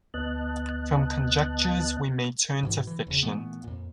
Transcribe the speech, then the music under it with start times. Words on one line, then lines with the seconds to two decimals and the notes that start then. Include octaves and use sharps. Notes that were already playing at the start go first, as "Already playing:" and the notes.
From conjectures we may turn to fiction.
0.14 D2 B3 D#5 A5 F#6
2.63 G#2 B2 E3
2.87 E3
3.07 E1 C#3
3.23 A#2 E3 A3 B3
3.64 F2 A#2